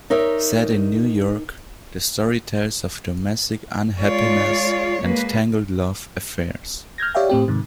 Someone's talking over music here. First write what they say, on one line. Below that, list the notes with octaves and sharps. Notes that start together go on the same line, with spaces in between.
Set in New York, the story tells of domestic unhappiness and tangled love affairs.
D#4 A#4 C#5 D5 E5
G#3 F4 C#5 D5
G#3 A#3 B4
F6 G6 G#6 A#6
G4 C#5 D5 E5 F5 G5
A2 C4 G4
G#2 C3 D#3